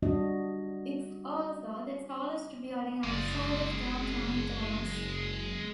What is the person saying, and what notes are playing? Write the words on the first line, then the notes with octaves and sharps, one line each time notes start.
It's also the tallest building outside of Downtown Dallas.
G3 D4 F#4 D#5
F#1 G#3 D5